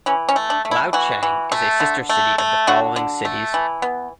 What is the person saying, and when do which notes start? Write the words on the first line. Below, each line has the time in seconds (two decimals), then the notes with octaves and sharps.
Liaocheng is a sister city of the following cities.
0.06 E3 C#4
0.29 C#4
0.36 A3
0.50 D4
0.65 A3
0.71 E4
0.93 E3 F#4
1.23 E3
1.52 A3
1.80 D3
2.09 A3
2.38 A3
2.67 D3 F#4
2.96 D3
3.25 A3
3.54 E3
3.82 B3